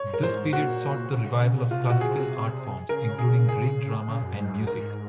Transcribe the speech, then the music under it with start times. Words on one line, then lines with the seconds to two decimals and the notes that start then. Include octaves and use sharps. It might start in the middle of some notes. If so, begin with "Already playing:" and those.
This period sought the revival of classical art forms, including Greek drama and music.
Already playing: C#5
0.14 A#4
0.23 G#2 C5
0.53 A#2 F#4
1.12 C#3
1.71 C3 F4
1.90 F#4
2.01 G#4
2.89 C#3 A#4
3.19 G#4
3.49 G#4
4.08 C#3
4.23 F#2
4.38 G#2
4.53 F#2
4.67 G#2 A#4